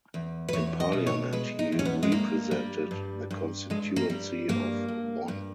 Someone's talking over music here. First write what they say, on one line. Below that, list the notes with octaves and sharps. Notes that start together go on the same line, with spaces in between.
In Parliament he represented the constituency of Bonn.
E2
B4
E2 C#5
D#5
B2
C#5
G#3 B4
D#4
E2
C#4
B3
G#3
G2 A#3
G3
G2
G2
G2 G#3
A#3
G3
G2 A#3
G2
G2